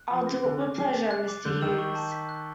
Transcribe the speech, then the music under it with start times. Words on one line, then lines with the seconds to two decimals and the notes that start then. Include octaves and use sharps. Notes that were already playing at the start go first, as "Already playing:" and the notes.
I'll do it with pleasure, Mr. Hughes.
Already playing: F#6
0.10 F3 D6
0.27 C#3 A#6
0.44 D3 F#6
0.61 C#3 D6
0.78 C7
0.95 A6
1.11 F#6
1.28 D6
1.45 D3 G6
1.62 D#3 E6
1.78 C#6
1.95 A5
2.12 B6
2.29 F#6